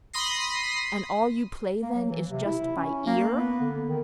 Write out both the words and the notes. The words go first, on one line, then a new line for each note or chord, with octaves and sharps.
"And all you play then is just by ear?"
B5 C6 D#6 A#6 C7
A#3
F#3
E3
C3
E4
C#4
A#3
B3
D3
D#3